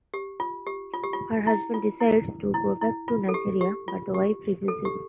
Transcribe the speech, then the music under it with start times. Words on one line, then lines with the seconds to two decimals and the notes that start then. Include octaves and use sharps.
Her husband decides to go back to Nigeria but the wife refuses.
0.14 G4
0.40 F4
0.66 G4
0.94 F4
1.03 G4
1.13 F4
1.47 E4
1.74 F4
2.01 E4
2.54 E4
2.81 E4
3.08 F4
3.29 A4
3.34 G4
3.61 G4
3.88 F4
4.14 G4
4.68 A4
4.85 G4